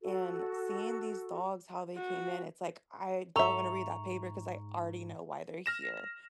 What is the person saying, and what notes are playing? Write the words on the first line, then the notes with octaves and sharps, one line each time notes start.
and seeing these dogs, how they came in, it's like, I don't wanna read that paper ‘cause I already know why they're here;
F#4 A4
F#4
G#2 A4 E5 A#5 C#6 F7
F6 A#6 E7